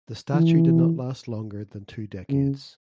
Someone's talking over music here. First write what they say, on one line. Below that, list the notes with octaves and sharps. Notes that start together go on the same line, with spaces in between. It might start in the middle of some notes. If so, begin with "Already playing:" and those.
The statue did not last longer than two decades.
E3
C#3